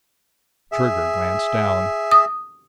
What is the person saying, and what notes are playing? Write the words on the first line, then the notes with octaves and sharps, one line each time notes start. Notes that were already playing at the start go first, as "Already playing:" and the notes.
Trigger glanced down.
G#4 E5
D#6